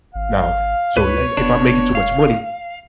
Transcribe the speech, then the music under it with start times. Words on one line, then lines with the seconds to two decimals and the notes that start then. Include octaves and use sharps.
now, so you I I if I'm making too much money,
0.15 G#1 F5
0.97 C#2 B4 C#5
1.37 F1 B3 D4
1.95 F5